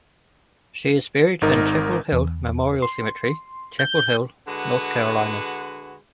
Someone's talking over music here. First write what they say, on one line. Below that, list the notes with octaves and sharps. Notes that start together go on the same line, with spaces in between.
She is buried in Chapel Hill Memorial Cemetery, Chapel Hill, North Carolina.
G#1 G#2 D#4 A#4
E2
C6
G6
D3 G#3 F#4 B4